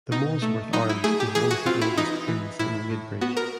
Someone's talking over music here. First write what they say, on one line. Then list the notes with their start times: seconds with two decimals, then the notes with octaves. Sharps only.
The Molesworth Arms is one of the oldest Inns in Wadebridge.
0.11 B2 D#4
0.42 A3
0.73 F#3 D#4
0.89 E4
1.04 A3 G#4
1.20 G4
1.35 E3 G#4
1.51 F#4
1.66 C4 F4
1.82 E4
1.97 E3 D#4
2.28 E3
2.59 A2 E4
2.90 A2
3.21 B3 F#4
3.37 A#4